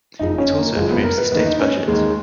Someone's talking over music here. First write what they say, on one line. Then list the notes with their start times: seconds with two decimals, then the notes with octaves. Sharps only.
It also approves the state budget.
0.19 F#1 F2 C#3 D#4
0.38 C#4
0.57 A#3
0.76 F#1 F2 C#3 G#3
0.90 B3
1.04 A#4
1.18 B4
1.32 D#2 D#3 B4
1.46 D#4
1.60 C#4
1.88 D#2 D#3 G#3